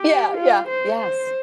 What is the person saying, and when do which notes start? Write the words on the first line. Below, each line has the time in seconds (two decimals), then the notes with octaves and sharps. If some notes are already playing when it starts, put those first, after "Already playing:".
Yeah, yeah, yes.
Already playing: G4
0.37 F4
0.68 C5
0.99 C5